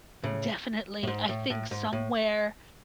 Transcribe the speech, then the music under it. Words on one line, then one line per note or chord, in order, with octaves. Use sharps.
Definitely, I think somewhere
A2 C#3
A2
G#2
A2
A2
G#2
A2